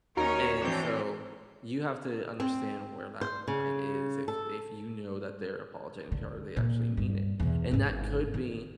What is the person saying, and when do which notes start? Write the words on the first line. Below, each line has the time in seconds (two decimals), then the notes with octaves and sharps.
and so, you have to understand where that line is, if if you know that they're apologizing to you they actually mean it, and that could be,
0.17 D#2 C#4 D#4 F#4 A#4 C#5 A#5
0.61 E3 C4 D4 G6
2.40 C4
3.21 C5
3.47 C#3
4.28 A4
6.12 D3
6.57 A#2
6.97 G2
7.39 E2 B2
7.71 G#1 E4
8.34 D#3